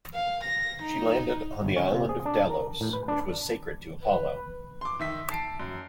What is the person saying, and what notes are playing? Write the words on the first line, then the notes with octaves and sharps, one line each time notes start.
She landed on the island of Delos, which was sacred to Apollo.
F5
A#6
D#4
G1
C#4
C3
G#4
D4
A#4
A#5
A2
B4
D4
B4
C6 D6
D#3 E5 B6
A5 C7 D7
F#2